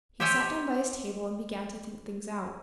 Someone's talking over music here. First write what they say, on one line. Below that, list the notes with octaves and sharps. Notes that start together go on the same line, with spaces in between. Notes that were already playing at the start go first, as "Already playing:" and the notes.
He sat down by his table and began to think things out.
G4 C5 C#5 E5 G5 G#5